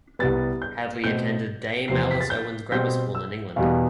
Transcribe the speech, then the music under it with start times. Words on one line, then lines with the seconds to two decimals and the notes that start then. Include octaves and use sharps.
Hadley attended Dame Alice Owen's Grammar School in England.
0.19 C2 C3 G3 B3 A6
0.62 G6
1.04 B2 A3 C4 G6
1.88 E2 C3 F3 C4 C7
2.11 B6
2.21 A6
2.30 G6
2.72 B2 G3 C4 G6
3.15 E6
3.56 E2 B2 G3 B3 F5